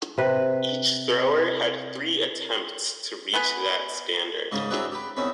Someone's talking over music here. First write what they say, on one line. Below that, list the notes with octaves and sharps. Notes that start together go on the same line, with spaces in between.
Each thrower had three attempts to reach that standard.
C3 B4
B3 G#4 B4
G#2 C#3 C#4 D#5
E3 F#3 C4 D4 G#4 B4
G4 B4
E2 D#3 C4 C#4 B5